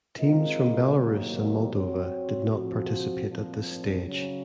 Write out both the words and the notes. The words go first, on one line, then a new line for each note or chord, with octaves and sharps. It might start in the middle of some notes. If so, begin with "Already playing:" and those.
Teams from Belarus and Moldova did not participate at this stage.
G#3 C4 F4 A#4 D#5
C3 D#3 F#3 A#3
C4 F#4 C#5
F3 C4 F#4
A#2 F3 C4
C#3 F#3 C#4